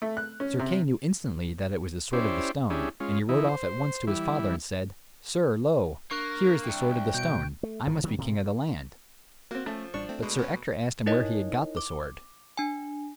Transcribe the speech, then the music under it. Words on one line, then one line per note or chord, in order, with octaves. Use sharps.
Sir Kay knew instantly that it was the sword of the stone, and he rode off at once to his father and said, "Sir, lo, here is the sword of the stone; I must be king of the land." But Sir Ector asked him where he got the sword.
A3
F#6
C#4
C3
C#4 E4 G4 C5 D5
C#4 D4 E4 G4 G#4
G#3 C#4 F4
E3 D#4 E4
C5
E3 G3 E4
A#3 D4 C#6 F#6
C2 G5
B2 G6 D7
A3
G1 G#2 E3
D#3 G3 G#3 B3
A2 C3
A#3 C4 F#4
F3 A3 C#4
A1 G3 D4 C#6
A3 C4
B2 G#3
B3 C#4
D#4 E4 A#4 C#5 D#5
D6
D4 G#5